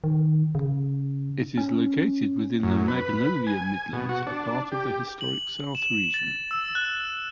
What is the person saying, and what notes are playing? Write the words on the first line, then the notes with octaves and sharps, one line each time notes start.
It is located within the Magnolia Midlands, a part of the Historic South region.
D#3
C#3
C#4
F#2
B4
G#5
G#5
B2
F#4
D4
G4
F#7
E7
A6
E6
F#6